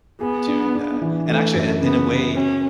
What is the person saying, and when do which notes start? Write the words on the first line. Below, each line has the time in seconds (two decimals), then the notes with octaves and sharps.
doing that. And actually, i in a way,
0.21 B3 G#4
0.48 D4
0.75 D4
1.01 E3
1.28 E3 A3
1.55 F#2
1.81 C#3 B3
2.08 C#3
2.35 C#4 F#4